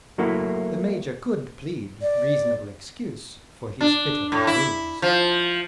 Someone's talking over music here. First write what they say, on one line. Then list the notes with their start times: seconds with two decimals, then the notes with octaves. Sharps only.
The Major could plead reasonable excuse for his fit of the glooms.
0.18 F#3 A3 A#3 E4 F#4
2.02 D5
3.81 D4
4.32 A2
4.47 E4
5.02 F3